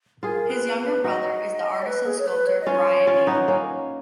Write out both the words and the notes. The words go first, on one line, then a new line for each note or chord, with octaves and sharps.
His younger brother is the artist and sculptor Bryan Kneale.
F4 G#4 A#4
B4
B4
D#4 F#4 D#5
C#5
B4
G#4
C#5
B4
C#5
D#5
C#4 F4 C#5
C#4 F4
B3 D#4
A#3 C#4